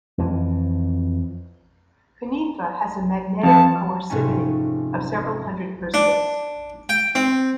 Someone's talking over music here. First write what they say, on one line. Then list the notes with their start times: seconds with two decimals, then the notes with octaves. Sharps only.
Cunife has a magnetic coercivity of several hundred oersteds.
0.18 F2 E3
3.43 F2 A5
4.10 F1 G#2 A3 C#4 G#5
5.94 D4
6.89 G5
7.15 C4